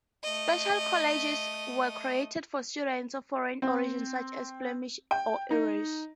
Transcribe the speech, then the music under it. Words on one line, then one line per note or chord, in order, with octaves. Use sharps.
Special colleges were created for students of foreign origin, such as Flemish or Irish.
A3 D#5
C4
G5
D#4